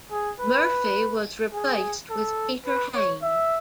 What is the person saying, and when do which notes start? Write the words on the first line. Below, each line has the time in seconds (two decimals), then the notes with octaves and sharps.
Murphy was replaced with Peter Hain.
0.11 G#4
0.39 B4
1.53 G#4
2.10 A4
2.66 B4
2.95 C#5
3.22 E5